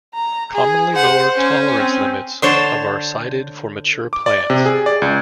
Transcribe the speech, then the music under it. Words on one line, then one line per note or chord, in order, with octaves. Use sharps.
Commonly lower tolerance limits of are cited for mature plants.
A#5
G#4
C5 F#5
C#4
C4
D3 C5 C#5 A5
D6
D5
C3
G#4
D5
C#2